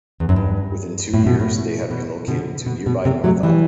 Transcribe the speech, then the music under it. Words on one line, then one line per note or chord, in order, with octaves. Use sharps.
Within two years they had relocated to nearby Northop.
E2
F#2
G2
A2
B2
A2
B2
B2 D3
B2
B2
C3
F#3 A3
E3 G3